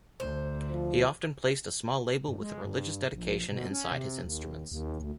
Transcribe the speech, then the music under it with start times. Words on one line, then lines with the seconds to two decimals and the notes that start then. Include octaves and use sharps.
He often placed a small label with a religious dedication inside his instruments.
0.20 D2 C5
0.70 F3
2.28 G2
2.41 G#3
2.65 G2
3.13 A#1
3.52 B2
3.71 C#4
3.92 C3
4.24 D#2
4.72 D#2
5.00 D2